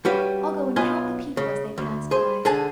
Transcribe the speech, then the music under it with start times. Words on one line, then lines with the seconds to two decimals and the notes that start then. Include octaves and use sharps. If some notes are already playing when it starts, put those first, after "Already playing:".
I'll go and count the people as they pass by.
0.05 G3 C#4 F#4 G4 B4 F5
0.76 B1 B3 F4 D#5 F5 G#5
1.37 C#3
1.78 D2
2.11 G#4 C5
2.45 D3 G#4 A5